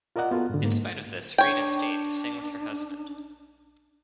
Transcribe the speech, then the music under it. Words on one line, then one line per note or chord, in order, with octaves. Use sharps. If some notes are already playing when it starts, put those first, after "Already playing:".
In spite of this, Rita stayed to sing with her husband.
F4 A#4 D5 D#5 F#5
B3 F4 F#4 A4
G#2 D3
G#2 A#3
D4 C#5 G5